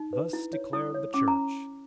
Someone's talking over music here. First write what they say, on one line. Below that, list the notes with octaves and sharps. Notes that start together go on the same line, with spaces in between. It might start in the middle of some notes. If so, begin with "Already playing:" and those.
Thus declared the Church.
Already playing: D#4
B4
E4
C#5
E4 D#6
C#5
C#4 D6
A#5